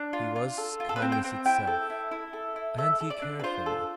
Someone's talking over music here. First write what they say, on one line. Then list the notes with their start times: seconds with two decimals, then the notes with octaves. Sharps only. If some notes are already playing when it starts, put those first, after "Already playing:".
He was kindness itself, and he cared for me.
Already playing: D4
0.13 F4
0.36 F4
0.58 A4
0.80 F4
0.89 A4
0.96 B4
1.02 C4
1.12 G5
1.24 C4
1.46 E4 G5
1.67 A4
1.90 E4
2.11 E4
2.33 A4
2.56 E4
2.78 A4 E5
3.00 A4
3.10 D5
3.22 D4
3.39 B4
3.44 F4 C5
3.66 A4